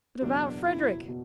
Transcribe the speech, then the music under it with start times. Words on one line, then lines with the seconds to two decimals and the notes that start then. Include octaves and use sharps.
'But about Frederick.
0.21 F#1 E2 B2 F#3 D4
0.64 E4
1.08 B2